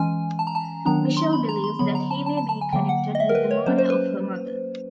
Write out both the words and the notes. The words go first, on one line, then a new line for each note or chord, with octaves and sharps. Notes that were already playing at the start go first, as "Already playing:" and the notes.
Michelle believes that he may be connected with the murder of her mother.
Already playing: E3 G#3 C#4 G#5
A5
A#5
A5
D#3 F#3 B3 D4 A#5
C6
B5
A#5
C6
D3 F#3 B3 B5
A#5
A5
A5
A5
A5
G#5
D3 F#3 A#3 G5
F#5
D#5
E5
A#4
B4
C#5
F#3 A#3 C#4 C5
C5
B4